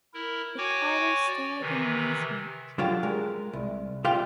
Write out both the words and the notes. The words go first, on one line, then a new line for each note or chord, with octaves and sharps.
Ricardo stared in amazement.
E4 A#4
F#4 C#5 G5 G#5 C#6 D6
D5
C3 D#3 E3
D3 F#3 F4 G4
G#3 A#4
C2
C2 F4 G4 F5 G5